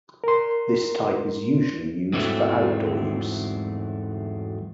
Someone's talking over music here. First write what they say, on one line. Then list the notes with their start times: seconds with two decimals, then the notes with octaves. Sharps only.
This type is usually used for outdoor use.
0.24 A#4 C6
2.13 E2 G#2 E3 F#3 A3 C4